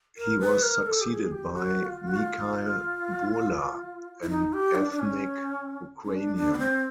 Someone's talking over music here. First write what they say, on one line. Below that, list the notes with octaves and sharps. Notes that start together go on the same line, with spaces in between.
He was succeeded by Mikhail Burla, an ethnic Ukrainian.
A#4
B4
A#4
A4
G4
G#4
G4
F#4
F4
F#4
F4
E4
D#4
G4
D4
D4
C#4
C#4
D4
D4
B3
C4